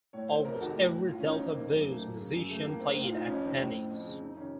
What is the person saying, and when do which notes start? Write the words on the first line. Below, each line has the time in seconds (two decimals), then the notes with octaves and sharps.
Almost every Delta Blues musician played at Haney's.
0.13 A2 C#5
0.29 C5
0.45 F2 A#4
0.56 A4
0.61 C3 D#3 F#4
0.76 A2
1.07 A2 F4
1.20 C#4
1.24 D#4
1.39 F2 C4
1.50 A#3
1.55 D#3
1.61 A#3
1.70 F#2 C4
1.80 A#3
1.86 D#3
1.91 A3
2.02 F#2 A#3
2.17 C#3
2.33 F#2
2.49 C#3 A3
2.64 A2 A#3
2.80 C4
2.96 A2 C4
3.04 F4
3.12 D#4
3.27 F2 C#4
3.43 D#3 C4
3.59 A2 C4
3.90 F2
4.06 C#3
4.21 F2 D#4
4.37 C3 D#3 C#4